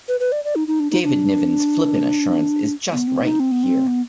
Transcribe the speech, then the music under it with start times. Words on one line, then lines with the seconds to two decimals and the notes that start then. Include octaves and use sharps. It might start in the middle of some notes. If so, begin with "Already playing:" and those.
David Niven's flippant assurance is just right here.
0.08 B4
0.20 B4
0.32 D5
0.44 D5
0.56 D#4
0.68 D#4
0.80 D4
0.91 D#4
1.03 D4
2.92 B3
3.07 C4
3.24 D#4
3.40 C4
3.52 B3
3.63 C4
3.87 B3